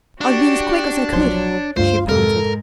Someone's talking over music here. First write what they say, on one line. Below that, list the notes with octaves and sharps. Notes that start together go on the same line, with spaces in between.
"I have been as quick as I could," she panted.
D4 F#4 G4
B1 F3 F#3 C#5 C6
D2 G2 F4 C5 F5
F2 G#2 C3 A4 A#4